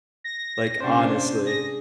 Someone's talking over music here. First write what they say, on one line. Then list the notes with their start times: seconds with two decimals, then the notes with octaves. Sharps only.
Like, honestly.
0.24 A#6
0.80 C3 C#4 D4 C5
1.46 G#4 A#6